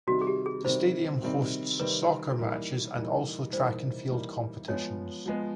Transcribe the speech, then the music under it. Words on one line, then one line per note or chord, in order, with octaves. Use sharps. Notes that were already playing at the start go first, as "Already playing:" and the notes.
The stadium hosts soccer matches and also track and field competitions.
C3 D#3 G3 C4 D#4 F#4
G#4
G4
G#4
C3 D#3 G3 C4 D#4 C5
C3 D#3 G3 C4 D#4
C3 D#3 G3 C4 D#4 B4
E3 G3 A#3 D#4
E3 G3 A#3 D#4
E3 G3 A#3 D#4 C5
E3 G3 A#3 D#4
F3 G#3 B3 C#5
F3 G#3 B3